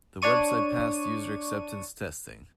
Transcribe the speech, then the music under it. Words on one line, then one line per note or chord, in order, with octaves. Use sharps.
The website passed user acceptance testing.
D4 C#5 D5 C#6 D#7